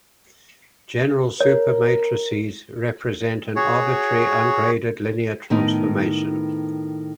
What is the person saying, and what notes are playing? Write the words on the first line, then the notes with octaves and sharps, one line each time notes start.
General supermatrices represent an arbitrary ungraded linear transformation.
A#4 C#5
F#4 G#4 C#5
A2 D#3 B3 D#4